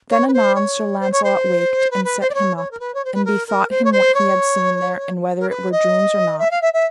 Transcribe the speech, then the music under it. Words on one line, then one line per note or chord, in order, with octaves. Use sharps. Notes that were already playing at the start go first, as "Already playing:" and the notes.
THEN anon Sir Launcelot waked, and set him up, and bethought him what he had seen there, and whether it were dreams or not.
C#5
B4
C5
C#5
C5
C#5
C5
B4
B4
C5
D5
C#5
C#5
A#4
B4
C#5
C5
B4
A#4
A#4
C5
C#5
C5
C#5
A#4
B4
D#5
E5
F5
E5
E5